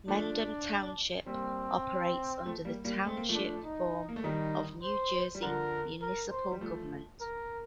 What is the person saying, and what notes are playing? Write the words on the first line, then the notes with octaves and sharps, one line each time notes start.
Mendham Township operates under the township form of New Jersey municipal government.
F3 A3 D4
G3 A#3 C4
F3 A3
G3 A#3
G3 A#3
A3 C4
A#3
F3 A3
D4
D#4
A#3
A3
D#3 G3 D#4
C5
G3
D3 F3 A#4
A#4
C5
G3
F3 A3
A#4